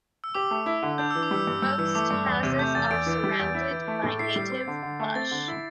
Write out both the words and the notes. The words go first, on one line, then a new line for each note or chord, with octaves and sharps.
Most houses are surrounded by native bush.
E6
G4 D6
A3
E4
D3
D4 G6
E3 E6
D6
G3 E6
G2
G2 E6
E3 E6
A3 D6
G2
E2
C3
A3 G6
E2 A6
E2 D7
E3
G3
E2
E4
E3
A3
A2
E4 C7
G3
C4
D3
D3
A3
C4 A6
D3
E4